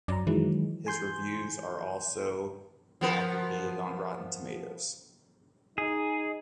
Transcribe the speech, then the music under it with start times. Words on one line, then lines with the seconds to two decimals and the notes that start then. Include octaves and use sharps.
His reviews are also aggregated on Rotten Tomatoes.
0.08 F#2 D5 A#5
0.27 D#3 E3 F#3 G#3
0.87 G#5 C6 G6
3.01 F3 B3 A#4
5.78 D#4 G#4